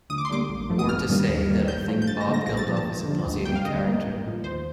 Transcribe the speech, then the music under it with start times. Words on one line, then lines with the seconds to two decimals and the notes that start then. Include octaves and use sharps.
Or to say that I think Bob Geldof is a nauseating character.
0.10 D2 D#6
0.18 D6
0.25 C6
0.30 D3 G3 A#3 D6
0.49 A1
0.69 G2 F3 A3
0.79 D#6
0.89 G1 F6
1.08 G2 D#3 G3 A#3
1.28 D#2
1.48 D#3 G3 A#3
1.68 A#1 G6
1.88 A2 F3 A3
2.02 G6
2.07 G2 A6
2.21 A#6
2.27 D3 G3 A#3
2.34 A#6
2.47 A#1 A#6
2.57 A6
2.67 A#2 F3 A#3
2.77 A5
2.87 D#2
3.05 D3 F3
3.26 D2
3.45 C3 G3 A#3 G5
3.55 F5
3.65 D2 D#5
3.85 C3 G3 A#3
4.05 A1
4.24 A2 F3
4.43 D#2 C5